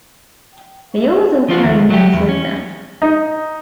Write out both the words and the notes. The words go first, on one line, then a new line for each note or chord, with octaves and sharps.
They also carry nets with them.
F3 C4 F4 F#4
D#2
F#3 G4
E2
C#4
D#4